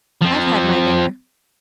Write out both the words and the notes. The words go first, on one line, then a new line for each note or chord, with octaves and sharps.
I've had my dinner.'
F3 C4